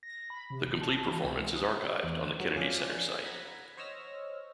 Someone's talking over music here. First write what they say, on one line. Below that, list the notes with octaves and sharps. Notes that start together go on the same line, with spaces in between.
The complete performance is archived on the Kennedy Center site.
A#6
B5
C3
G1
A5
E3
C#2
G#3
D#6
E2 D6 F#6
F#3 B3
F2 F3 C#4 G#4 D5 F5
F#5 A#5 B5 G#6 B6
C5 C#5 D#5 E6 F6 A#6